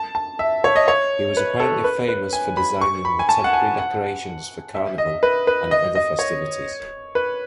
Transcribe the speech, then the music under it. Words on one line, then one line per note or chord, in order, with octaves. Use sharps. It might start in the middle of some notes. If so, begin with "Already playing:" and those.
He was apparently famous for designing the temporary decorations for Carnival and other festivities.
Already playing: A5
A5
E5
C#5
D#5
C#5
B4
A4
B4
B4
G#5
B5
C#6
B5
G#5
A5
F#5
G#5
F#5
E5
D#5
B4
B4
D#5
D#5
C#5
B4